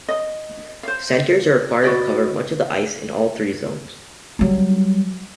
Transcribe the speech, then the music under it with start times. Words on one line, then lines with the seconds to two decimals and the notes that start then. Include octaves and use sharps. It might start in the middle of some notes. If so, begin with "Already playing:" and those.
Centres are required to cover much of the ice in all three zones.
0.09 D#5
0.83 C5 F5
1.82 F#4 B4 D5 D#5
4.39 F#3 G3